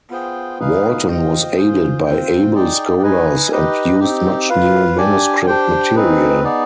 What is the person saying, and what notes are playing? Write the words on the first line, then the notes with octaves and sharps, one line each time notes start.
Walton was aided by able scholars and used much new manuscript material.
B3 F4 G#4 C5 G5
D#4 G#4 B4 F5
F4 C5 D#5 G5
F4 G#4 C5
C4 F4 C5 G5
D#4 G#4 D5 G5
D#4 B4 D#5 G#5
D#4 G4 B4 D#5
C4 D#4 G4
F4 B4 F5
D4 G4 D5 G#5
D4 G4 C5 G5
C4 D#4 G#4 B4
B3 D#4 G#4 D5